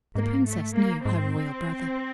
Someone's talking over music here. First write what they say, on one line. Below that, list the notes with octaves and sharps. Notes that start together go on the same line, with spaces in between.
The princess knew her royal brother.
G#2 A#3
A3
A#3
G#2 C4